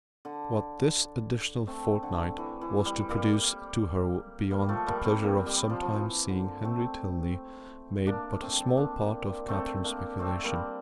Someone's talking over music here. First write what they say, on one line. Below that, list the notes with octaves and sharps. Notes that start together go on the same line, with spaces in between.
What this additional fortnight was to produce to her beyond the pleasure of sometimes seeing Henry Tilney made but a small part of Catherine's speculation.
D3
A3 C4
D3
E3
E3
G3
G3 A#3
G3 A#3
F3 A3
G3 A#3
A3 C4
G3 A#3
G3
F3
F3
E3
D3
A3 C4
A#3 D4
A3 C4
A#3 D4
A3 C4
A#3 D4
A3 C4
G3 A#3